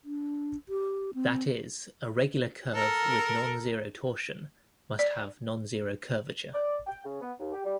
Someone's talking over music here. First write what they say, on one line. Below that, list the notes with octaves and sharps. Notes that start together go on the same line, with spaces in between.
That is, a regular curve with nonzero torsion must have nonzero curvature.
D4
G4
C4
A4 A#4
D5
D5
G5
C#3
B3
D#2
G4
G3